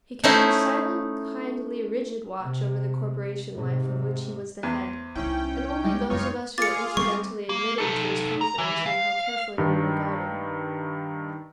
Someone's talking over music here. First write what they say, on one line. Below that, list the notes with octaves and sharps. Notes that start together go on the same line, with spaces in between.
He kept a silent, kindly, rigid watch over the corporation-life of which he was the head; and only those of us who were incidentally admitted to his confidence knew how carefully we were guarded.
A3 C#4 D#4 E4 C5
C3
G#2 C3
E2 C5
C2 C#4 D#4 E4 G5
G3 G#3
F#2 A#3 D#4 F4 C#5
F4 G#4 F5 D6 A6 C#7
G3 A3 C4 C#6
A#3
D#4 A4
A#5
E3
F5
G2 D#3